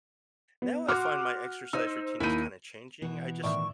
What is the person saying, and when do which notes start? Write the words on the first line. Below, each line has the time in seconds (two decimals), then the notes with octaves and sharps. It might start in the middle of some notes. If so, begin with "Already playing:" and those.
now I find my exercise routine is kinda changing, I just
0.62 B3
0.89 F#4 C6 D6 F6
1.73 D#4 C5 E6
2.20 D#2 D#4 E4 D#7
3.02 B2 E3
3.44 A2 D#3 D5 E5 C#6